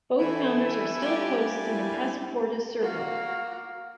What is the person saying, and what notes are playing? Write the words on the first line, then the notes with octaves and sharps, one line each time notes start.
Both founders are still hosts in the Pasporta Servo.
E3 A3 E4 A4 G#5
G3 D4 F4 G4
E4
A#3 F#4